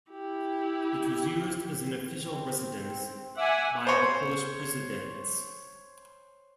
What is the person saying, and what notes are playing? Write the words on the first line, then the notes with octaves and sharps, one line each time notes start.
It was used as an official residence by the Polish presidents.
E4 G4
C4
E5 F#5 G#5 D6 E6
C5 C#5